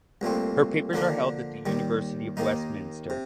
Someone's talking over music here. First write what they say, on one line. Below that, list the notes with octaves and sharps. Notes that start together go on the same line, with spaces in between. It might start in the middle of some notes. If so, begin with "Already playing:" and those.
Her papers are held at the University of Westminster.
C2 A#2 A3 C4
D3 F3 A#3 D4
D#2 D#3 G3
D#2 D#3 A#3 D#4
C3